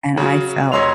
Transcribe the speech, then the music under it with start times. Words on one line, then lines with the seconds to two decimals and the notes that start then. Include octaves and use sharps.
and I felt
0.17 C#3 F#3
0.72 F1 C#5 D#5 C6 E6 F7